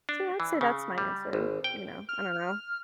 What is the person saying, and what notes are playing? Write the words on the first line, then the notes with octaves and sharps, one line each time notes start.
so, yeah, I'd say that's my answer, you know? I don't know,
D4
E3
C#3
G3
G#1
G5
F6